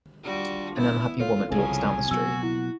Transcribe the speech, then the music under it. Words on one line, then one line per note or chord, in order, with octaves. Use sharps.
An unhappy woman walks down the street.
G3 D4 F4 F#4
B3 E4
F#2 F4 A4 C#5 F5
C2 C#3 F3 F#3 G#5
B2 F#3 A#3 F#4 E6
E4 F#5